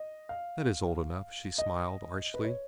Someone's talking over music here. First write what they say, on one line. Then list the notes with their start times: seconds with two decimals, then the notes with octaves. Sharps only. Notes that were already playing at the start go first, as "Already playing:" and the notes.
"That is old enough," she smiled, archly.
Already playing: D#5
0.29 F5
1.58 D#5
2.34 B4
2.45 C#5